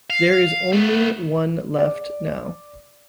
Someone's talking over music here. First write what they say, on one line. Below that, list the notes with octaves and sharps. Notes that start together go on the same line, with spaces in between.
There is only one left now.
F5
A3 B3
D5